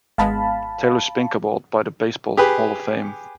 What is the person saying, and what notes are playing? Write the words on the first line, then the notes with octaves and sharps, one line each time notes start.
Taylor Spink Award by the Baseball Hall of Fame.
G#1 G#3 B3 F5 A5 B5
G4 G#4 B4